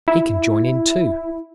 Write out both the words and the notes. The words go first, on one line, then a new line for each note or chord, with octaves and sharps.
He can join in too.
E4